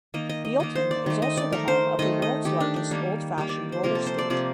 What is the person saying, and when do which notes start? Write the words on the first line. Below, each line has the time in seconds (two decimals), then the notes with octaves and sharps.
Bealeton is also the home of the world's largest old-fashioned roller skate.
0.14 D#3 A#3 D#5
0.29 D#5
0.45 D#5
0.60 D#3 A#3 D#5
0.75 C5
0.91 D5
1.06 D#3 A3
1.22 D#5
1.37 D5
1.53 D#3 A3 A#4
1.68 C5
1.99 D#3 A3 D#5
2.22 D#5
2.45 D#3 A3 G4
2.60 D4
2.76 D4
2.91 D#3 G3 A#3
3.38 D#3 G3 A#3 G4
3.49 D5
3.72 C5
3.83 C3 F3 A#3 A#4
3.95 A4
4.06 C5
4.19 D5
4.30 C3 F3 A#3 D5